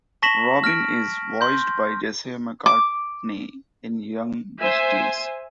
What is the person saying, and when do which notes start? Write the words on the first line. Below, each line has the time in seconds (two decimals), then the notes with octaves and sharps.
Robin is voiced by Jesse McCartney in "Young Justice".
0.22 A5 C#6 A#6 B6 E7 F#7
0.64 F6 A#6 D7
1.41 C6 G6
2.66 D6
4.60 C5 E5 G#5